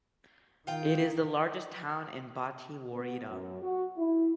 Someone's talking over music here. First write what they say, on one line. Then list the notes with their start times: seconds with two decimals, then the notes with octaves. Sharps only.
It is the largest town in Bati woreda.
0.67 D#3 F4 G5
2.93 B3
3.28 F#2
3.62 F#4
3.98 E4